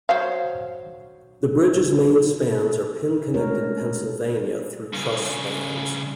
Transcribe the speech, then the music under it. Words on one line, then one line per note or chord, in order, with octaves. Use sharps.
The bridge's main spans are pin-connected Pennsylvania through truss spans.
F#3 C5 F5
G#3 A3 C#4 D4 A#4 C#5
G2 C#3